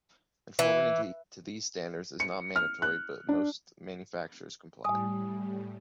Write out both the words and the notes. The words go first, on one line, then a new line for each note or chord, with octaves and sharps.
Conformity to these standards is not mandatory, but most manufacturers comply.
E3
C#7
F6
F#6
D4
A2 G3 G#5 D#6